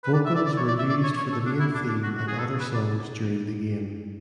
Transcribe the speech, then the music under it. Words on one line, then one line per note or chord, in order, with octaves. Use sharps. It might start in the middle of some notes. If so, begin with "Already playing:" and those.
Vocals were used for the main theme and other songs during the game.
B4
D5
E5
D5
D5
C#5
D5
E5
D5
C#5
C#5
A4
D4
E4
D4
D4
F#4
F#4
G#4
A4
B4
D5